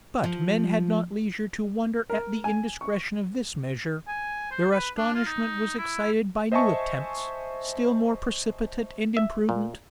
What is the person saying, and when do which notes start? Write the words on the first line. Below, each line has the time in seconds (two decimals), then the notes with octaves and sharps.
But men had not leisure to wonder at the indiscretion of this measure: their astonishment was excited by new attempts, still more precipitate and imprudent.
0.24 F3
2.10 A#4
2.44 G#5
2.81 C#6
4.07 G#5
4.51 C5
4.71 B4
4.97 D4
5.14 F4
5.26 D#4
5.78 E4
6.52 C5 D#5 E5 G#5 A5 C#6
9.17 E5
9.49 A#2